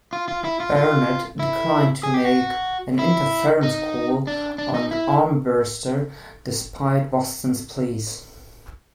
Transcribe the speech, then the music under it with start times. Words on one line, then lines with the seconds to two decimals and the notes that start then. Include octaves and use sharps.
Barnett declined to make an interference call on Armbrister, despite Boston's pleas.
0.13 F4
0.28 F4
0.44 E4
0.60 F4
0.76 F4
1.39 E4
2.03 G#4
2.14 G4
2.25 F#4
2.99 E4
3.63 D#4
4.27 D4
4.58 D4
4.74 D#4
4.91 E4